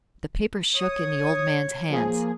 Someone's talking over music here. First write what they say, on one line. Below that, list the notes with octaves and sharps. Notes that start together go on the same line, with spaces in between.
The paper shook in the old man's hands.
C#5 D#6
F3 A#3 G#4